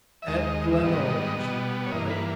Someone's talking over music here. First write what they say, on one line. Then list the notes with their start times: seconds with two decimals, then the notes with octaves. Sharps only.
"At Glenalla," she replied.
0.22 E5
0.27 D#2 D#3 G#3 D#5
0.72 E5
0.82 G#2 D#3 G3 B3 D#5
1.37 B2 G3 B3
1.86 C#5
1.91 G2 E3 A#3 D#5
2.10 B4